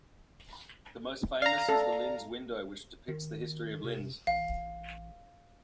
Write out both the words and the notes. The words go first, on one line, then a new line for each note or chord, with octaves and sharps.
The most famous is the Linz Window, which depicts the history of Linz.
D5 F5 A#5
A4
D#3
C3
A1 F5